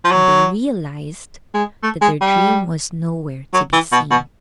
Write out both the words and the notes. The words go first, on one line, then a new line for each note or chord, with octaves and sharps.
And they realized that their dream was nowhere to be seen.
F3
F#3
G#3
A3
G#3
G3
F#3
E3
B2
B2